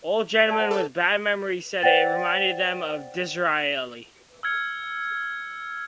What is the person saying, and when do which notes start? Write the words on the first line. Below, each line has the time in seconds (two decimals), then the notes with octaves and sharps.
Old gentlemen with bad memories said it reminded them of Disraeli.
0.47 D5 E5 A5
0.59 C5 F#5
0.71 G#4 A4 C#5
1.82 C5 D5 F#5 G5 A6
4.43 E6 F6 G#6 C#7